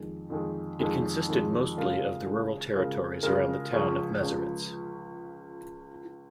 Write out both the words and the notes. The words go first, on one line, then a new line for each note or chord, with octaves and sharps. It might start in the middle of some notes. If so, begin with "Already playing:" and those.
It consisted mostly of the rural territories around the town of Meseritz.
Already playing: F2 D#3 G#3
F2 D#3 G#3
F2 D#3 G#3
F2 D#3 G#3
C#3 G#3 F4 A#4
C#3 G#3 F4 A#4
C#3 G#3 F4 A#4
C#3 G#3 F4 A#4
C#2 C#3 F3 C#4 G#4
C#2 C#3 F3 C#4 G#4